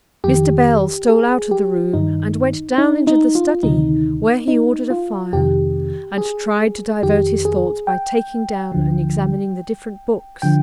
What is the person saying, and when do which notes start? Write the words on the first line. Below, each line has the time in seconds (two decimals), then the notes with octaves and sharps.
Mr. Bell stole out of the room, and went down into the study, where he ordered a fire, and tried to divert his thoughts by taking down and examining the different books.
0.24 F2 D#3 G4
1.09 G#4
1.51 G4
1.93 G2 D#3 D#4
2.78 D#4
3.07 D#4
3.35 F4
3.63 D2 C3 D#3 D#4
4.48 D#4
4.90 F4
5.33 F2 C3 D#3 G4
6.18 G#4
7.02 F2 D#3 G4
7.45 G#4
7.87 G5
8.72 D2 D3 F3
10.42 D3 F3 G5